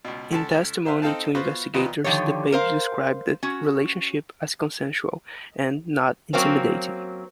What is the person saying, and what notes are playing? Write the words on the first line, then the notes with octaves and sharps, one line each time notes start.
In testimony to investigators, the page described the relationship as consensual and not intimidating.
C#2 B2
C#2 A4 A5
D4 C5 E5 F5
C4 D#4 A4 F5 G5 A5
B3 F4 F#4 C5 F5 B5
D#2 A#2 F3 B3 F4 D#5
D3 D#3 F3 G4 C#5
A#4 C5 F5
C#4 F#4
F#3 A#3 C4 C#4